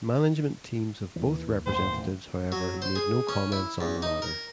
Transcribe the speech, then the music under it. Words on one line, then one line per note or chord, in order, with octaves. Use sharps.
Management teams of both representatives however made no comments on the matter.
D#2 E3
D1 A1 D#3 C5
F#3
C5
G#4
C#4
E4
E2
D#4
A#4